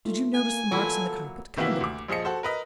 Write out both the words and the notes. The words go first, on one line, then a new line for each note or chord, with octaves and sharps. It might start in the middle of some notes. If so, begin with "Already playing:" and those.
Did you notice the marks on the carpet?--Come and look at them.'
A3 D#4 F4
A#3 G#5
E3 F#3 A#3 E4 F4 A4
C3 D#3 E3 A#3 E4 F#4
D2 D6
A#1 F3 G#4 D#5 C#7
F#4 A4 C5
A#4 B4 D#5